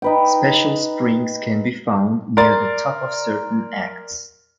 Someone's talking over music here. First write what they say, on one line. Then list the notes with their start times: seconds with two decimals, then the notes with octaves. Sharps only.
Special Springs can be found near the top of certain acts.
0.02 D#4 B4 G5
2.37 A#4 D5 C6 A6